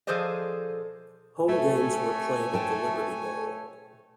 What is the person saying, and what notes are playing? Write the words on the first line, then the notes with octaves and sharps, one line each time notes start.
Home games were played at the Liberty Bowl.
F3 G#4 A4 C5 D5 D#5
A3 C#5 E5 G#5
C5 G5 A5